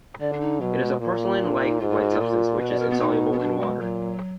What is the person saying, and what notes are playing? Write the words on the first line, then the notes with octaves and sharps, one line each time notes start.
It is a porcelain-like white substance which is insoluble in water.
D3 D5
D4
D#4
B2 F#3
G#3
A#2 A#3
D4
D#4
G#2 F4
F4
F#4
F4
A#2 F4
B2 B4
D5
A#4
B3
D#4
B3
D4
G#3
A#2 F#3